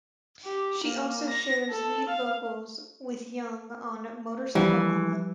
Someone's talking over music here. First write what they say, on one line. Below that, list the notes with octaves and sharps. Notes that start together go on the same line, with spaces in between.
She also shares lead vocals with Young on "Motorcycle Mama".
G4
A#3
A#6
A4
F5
E3 F3 G3